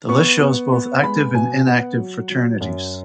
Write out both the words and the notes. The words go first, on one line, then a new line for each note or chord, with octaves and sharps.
The list shows both active and inactive fraternities.
B3 C#6
B3
B3
G#3 B5
B2 G#5
B3 F#5
F#3
F#3
F#2